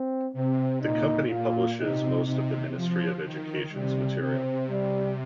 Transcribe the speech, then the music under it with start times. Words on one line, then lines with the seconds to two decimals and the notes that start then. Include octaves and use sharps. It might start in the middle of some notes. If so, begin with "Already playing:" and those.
The company publishes most of the Ministry of Education's material.
Already playing: C4
0.34 C3 C4
0.81 A#2 D#4
1.30 A#2 F4
1.79 C3 D#4
2.27 C3 D#4
2.76 F3
3.24 D#3
3.73 C3 G3
4.21 C3 C4
4.70 G3